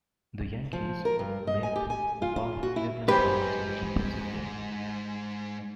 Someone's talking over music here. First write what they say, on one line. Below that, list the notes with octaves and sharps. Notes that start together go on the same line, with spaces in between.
The Yankees met the powerful Cleveland Browns in the championship game.
F3
A#4
G2
D#5
G#5
G4
G#5
F4
F4
F#4
E4
G#2 G4 B4 C5